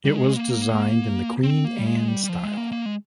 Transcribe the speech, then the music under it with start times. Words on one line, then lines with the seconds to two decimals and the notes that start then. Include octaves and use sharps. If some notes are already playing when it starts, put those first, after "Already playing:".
It was designed in the Queen Anne style.
0.05 G3
0.15 G#3
0.36 A#3
1.43 C4
1.65 A#3
1.79 G3
1.87 G#3
2.08 G3
2.24 G3
2.29 F3
2.44 G#3
2.57 A#3
2.72 A#3
2.86 G#3